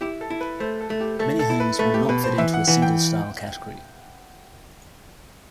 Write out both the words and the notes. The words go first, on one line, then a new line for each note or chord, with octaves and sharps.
Many homes will not fit into a single style category.
E4 G4
A4
E4
B4
A3 C5
A4
A3
G4
A3 A4
A4
E4
B4
A3 B4
G4
B2 B4
C5
E3 E5
F#5
E3 F#5
G5